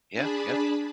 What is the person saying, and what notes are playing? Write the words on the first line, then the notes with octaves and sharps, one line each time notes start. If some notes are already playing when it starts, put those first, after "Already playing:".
Yeah, yeah.
D4 G#4 A5 B5